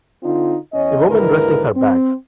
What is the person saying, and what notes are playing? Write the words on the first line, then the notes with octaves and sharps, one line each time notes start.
A woman resting her bags.
D3 C4 D#4 F4
E2 C#4 C#5 D#5
D#2 G#2 D3 E4 A#4 B4
C4